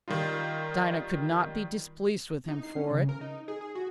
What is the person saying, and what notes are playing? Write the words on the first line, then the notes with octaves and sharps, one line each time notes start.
Dinah could not be displeased with him for it.
D#3 G3 D#4 F4
D#4
C7
C#4
C#3
A#4
D#4
G#4
G#4
F#4